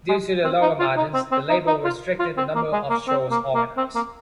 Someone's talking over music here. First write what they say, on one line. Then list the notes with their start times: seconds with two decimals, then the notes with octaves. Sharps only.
Due to the lower margins, the label restricted the number of shows organized.
0.09 G#3
0.44 C4
0.61 D#4
0.80 F4
0.97 D#4
1.14 C4
1.32 C4
1.49 D#4
1.67 D#4
1.84 F4
2.20 F4
2.37 C4
2.55 A#3
2.72 G#3
2.90 A#3
3.08 C4
3.31 A#3
3.54 A#3
3.77 C4
3.95 A#3